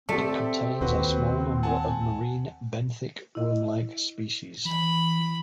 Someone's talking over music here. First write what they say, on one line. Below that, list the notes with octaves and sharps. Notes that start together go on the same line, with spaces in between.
It contains a small number of marine benthic worm-like species.
A3 C4 G4 D5
D#2 F#4 B4 C5
F#5 G#5 A5
E4 D#5
E3 B5